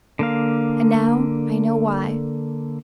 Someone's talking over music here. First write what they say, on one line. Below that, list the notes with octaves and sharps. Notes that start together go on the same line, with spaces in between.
And now I know why.
D3 A#3 F5